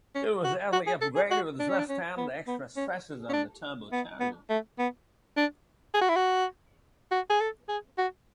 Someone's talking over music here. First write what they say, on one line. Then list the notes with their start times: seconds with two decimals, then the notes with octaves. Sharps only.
It was heavily upgraded to withstand the extra stresses of the turbocharger.
0.15 C#4
0.44 F#4
0.73 F#4
0.87 G#4
1.02 A4
1.16 G#4
1.31 F#4
1.60 D4
1.69 C#4
1.78 D4
1.89 C#4
2.18 B3
2.47 B3
2.76 C#4
3.29 C#4
3.33 D4
3.92 B3
4.20 B3
4.50 A3
4.79 B3
5.37 D4
5.94 G#4
6.02 F#4
6.09 E4
6.17 F#4
7.11 F#4
7.30 G#4
7.40 A4
7.69 G#4
7.98 F#4